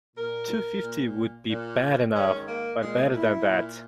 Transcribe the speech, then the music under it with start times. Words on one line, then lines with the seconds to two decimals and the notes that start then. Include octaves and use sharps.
Two fifty would be bad enough, but better than that.
0.16 A#2 A#4
0.83 A#2
1.49 A#2
2.15 G#2 D#3 C#4
2.48 A#3
2.81 A#2 G#3
3.15 E4
3.47 A#2